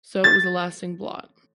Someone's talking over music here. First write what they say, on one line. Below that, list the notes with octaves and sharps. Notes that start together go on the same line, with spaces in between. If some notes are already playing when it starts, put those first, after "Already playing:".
So it was a lasting blot.
A6